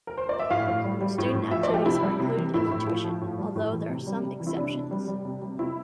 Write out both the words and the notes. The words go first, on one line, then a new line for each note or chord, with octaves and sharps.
Student activities are included in the tuition, although there are some exceptions.
A#4
C5
D5
E5
A2 F5
A2
G3
G3
A2
A2
F3 E5
D5
F3
G4
C3 E4
G3
C3
E3
A2 E4
A2
F3
F3
A2
G3
A2
E3
C3
G3
C3
E3
E4
C3 D4
C3
G3
G3
C3
G3
C3 E4